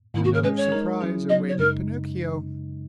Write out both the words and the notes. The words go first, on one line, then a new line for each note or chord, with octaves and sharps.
Another surprise awaited Pinocchio!
G#2 D#3 A#3 E4
F#4
A#4
G#3 C#4 G#4 B4
C#5
G#3 D#4 A#4
F#3 C#4 E4 G#4
C#3 F#3 B3 D#4 D#5
C#5
F#2 C#3 G#3 D#4 A#4